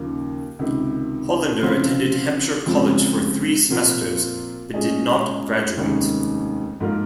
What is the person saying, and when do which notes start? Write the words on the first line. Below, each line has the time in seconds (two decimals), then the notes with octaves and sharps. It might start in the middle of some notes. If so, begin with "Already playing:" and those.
Hollender attended Hampshire College for three semesters but did not graduate.
Already playing: D#2 C#3 F3 A#3 D#4
0.59 C#2 C3 D#3
1.63 C#3 F3 C4 F4 C5
2.66 F2 C#3 F3 G#3 C4
3.70 A#2 F3 C4 F4 A#4
4.73 A#2 G#3 C#4 G#4 D#5
5.77 F1 D#2 D#3 G#3 C#4
6.80 G#2 F3 A#3 F4 A#4